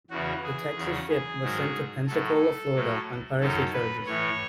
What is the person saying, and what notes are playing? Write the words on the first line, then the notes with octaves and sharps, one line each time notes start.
The Texas ship was sent to Pensacola, Florida, on piracy charges.
E2 C#3 E3 F#4
G#4
E2 C#3 F#3
G#4
G#2 D#3 F#3
A2 F#3 A4
A2 F#3
F#2 D#3 F#3 A4
B4
A2 E3 C#5